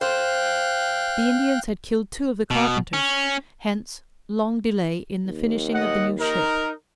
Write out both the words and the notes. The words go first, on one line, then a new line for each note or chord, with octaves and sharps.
The Indians had killed two of the carpenters; hence long delay in the finishing of the new ship.
C5 F5 G5 F#6
B2
C#4
D#2
D#5 F#5
D#4 A#4